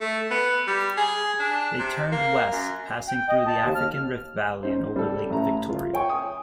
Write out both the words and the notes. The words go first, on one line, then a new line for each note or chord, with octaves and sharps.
They turned west, passing through the African Rift Valley and over Lake Victoria.
A3
B3
G3
G#4
D4
C3
A#3
F#2
G5
D#5
A5
D#2
F6
C#4 D#4 C5
G3 A4
A1 A2 A#5
F4
C#5 G5 G#5 C#6
D#6